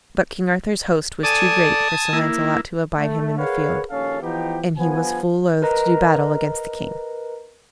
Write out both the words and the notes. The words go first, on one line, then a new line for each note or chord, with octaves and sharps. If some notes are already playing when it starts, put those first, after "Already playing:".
But King Arthur's host was too great for Sir Launcelot to abide him in the field; and he was full loath to do battle against the king.
A4 D5 G#5 A5 D#6
A#3 E4
A3
G#4 A#4 B4 C#5 F5 F#5
A#1 D#2 C#4 A4 F5
E3 F3 B3 D#4 G4
G1 F3 B3 G#5
A#4 B4 D#5 A#5